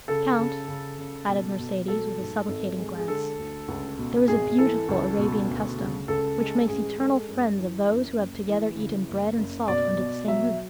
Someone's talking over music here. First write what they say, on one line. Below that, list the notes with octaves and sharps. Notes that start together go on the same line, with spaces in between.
"Count," added Mercedes with a supplicating glance, "there is a beautiful Arabian custom, which makes eternal friends of those who have together eaten bread and salt under the same roof."
C#3 A4
C#3
C#3
C#3
B2
B2
F#3 A4
G#2
G#1 A4
G#3
G#4
D3 A4
D2
C#2
B2
G#1 G#4
E3 A4
C#2
B2
D2
C#3
C#2 A4
G#3
A1 G#4
G#3 A4
F#2
E3
F#2
F#1
E3
C#3
F#1
F#1
B2 D5
B2
F#3 E5